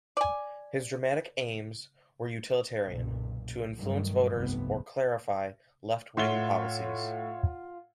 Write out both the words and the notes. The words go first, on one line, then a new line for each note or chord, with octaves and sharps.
His dramatic aims were utilitarian - to influence voters or clarify left-wing policies.
D5 G#5
F#1 B1 A#2
G2 D#3 F#3 A3
F1 C2 C3 B3
A2 F4 C#5 E5 F#5 C6 G7